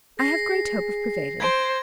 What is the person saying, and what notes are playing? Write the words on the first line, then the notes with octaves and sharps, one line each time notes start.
I have great hope of prevailing.
G#4 A#6 C7
C5 G#6 D7